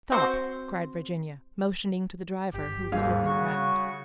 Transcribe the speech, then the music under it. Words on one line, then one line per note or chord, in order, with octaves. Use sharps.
"Stop!" cried Virginia, motioning to the driver who was looking around.
C4 F#4 C5
G1 G4
D#2 G#2 G3 D4 G#4 F5
C#3 F#4 C#6